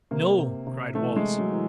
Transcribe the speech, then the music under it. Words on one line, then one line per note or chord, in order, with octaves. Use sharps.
"No," cried Wallace.
C3 A#3
C3
C3
E3 A3
G#3
E3
F#3
E3